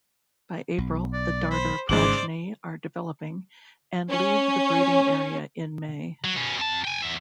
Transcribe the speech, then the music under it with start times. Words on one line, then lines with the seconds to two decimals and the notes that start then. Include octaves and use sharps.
By April, the darter progeny are developing, and leave the breeding area in May.
0.78 B1
1.13 D5
1.51 C5 B5
1.89 G#1 G#2 C#3 C5 D5 D6 F#7
4.10 C#4
6.25 F#3
6.37 B2 C#4
6.58 F2 A5
6.85 G5 G#5
7.02 E2 E4